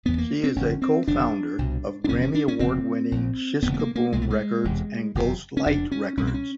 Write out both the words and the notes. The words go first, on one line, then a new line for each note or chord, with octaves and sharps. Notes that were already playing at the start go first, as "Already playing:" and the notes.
She is a co-founder of Grammy Award-winning Sh-K-Boom Records and Ghost light Records.
F#1 E2 C#3 B3
A#3
C4
G1 F2 D3 C#4
C4
F1 D#2 D3 D4
C2 B2
D4
F1 E2 C3 C#4
C#4
D4
C#4
F1 D#2 C#3 C4
A#1 A#2
E1 D2 C#3 B3
B3
A#3
A#3
C2 B2 G#3
A3
G#3
E1 E2 C3
F#1 E2 C3
C#4
F1 F2 C#3 D4
C#4
C2 B2 C#4
C4
C#4